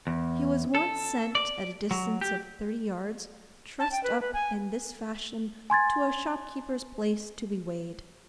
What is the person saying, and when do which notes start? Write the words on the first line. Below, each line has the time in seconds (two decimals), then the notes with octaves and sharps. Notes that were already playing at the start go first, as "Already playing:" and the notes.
He was once sent a distance of thirty yards, trussed up in this fashion, to a shopkeeper's place, to be weighed.
0.07 E2
0.75 A4
1.35 D5
1.91 F#3
2.21 G4
3.80 A5
3.92 G5
4.04 B4
4.21 B4
4.33 G#5
5.70 G#5 C6 G#6 A6